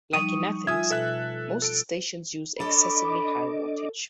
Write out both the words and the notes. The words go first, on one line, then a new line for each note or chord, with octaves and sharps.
Like in Athens, most stations use excessively high wattage.
F3 G3 D#4 C#6 D#6 D#7
F4 E5 G#5 D#6 G#6
B2 A4 E5 F#6
A4 D7
D4 A4 C#5 D#5 B5 D6